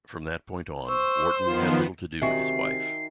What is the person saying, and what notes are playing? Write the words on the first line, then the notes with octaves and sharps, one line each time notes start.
From that point on, Wharton had little to do with his wife.
C5 C#6 E6
D#3 F3 B3 F4 C6
C3 D#3 F#4 D#5 E5 G#5 C7